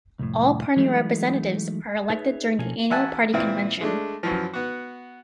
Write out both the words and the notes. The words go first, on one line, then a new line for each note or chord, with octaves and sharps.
All party representatives are elected during the annual party convention.
C2 F2 A2
E3 F#3 G#3 A3 D#4
D#4 G#4 B4 C#5 E5
B2 F3 A#3 C#4 A4 G#5
A1 E5 F#5 G#5 A5
A#2 E3 C4 E4
G#3 A3 D4
F#2 E3 F3
B3 F#4